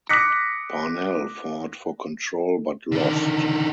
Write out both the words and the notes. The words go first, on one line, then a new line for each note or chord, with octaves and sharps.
Parnell fought for control, but lost.
D6 D#6 F#6 A#6 B6 C#7
D3 D#3